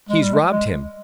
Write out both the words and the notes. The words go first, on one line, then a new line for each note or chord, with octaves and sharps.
He's robbed him!
G#3
G3
G#3
G#3